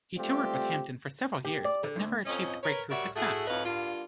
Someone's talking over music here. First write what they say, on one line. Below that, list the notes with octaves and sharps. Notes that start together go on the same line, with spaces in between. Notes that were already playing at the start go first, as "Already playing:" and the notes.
He toured with Hampton for several years but never achieved breakthrough success.
G3 A3 C4 F4 G4
G4
D5
D3
D2
F2 C#4 D#5
A#4 B4 C#5
G3 F#4 A#4 C#5 E5
A3 E4 F#4 G#4
F2 A2 D#4 F#4 B4 F5
G2 D3 A#3 F4